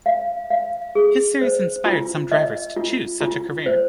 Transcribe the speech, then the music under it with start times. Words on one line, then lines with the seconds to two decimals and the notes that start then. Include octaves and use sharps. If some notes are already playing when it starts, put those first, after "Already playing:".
His series inspired some drivers to choose such a career.
0.06 F5
0.50 F5
0.95 G#4
1.41 C5
1.86 F4
2.32 D#5
2.76 F4
3.21 F4
3.66 C5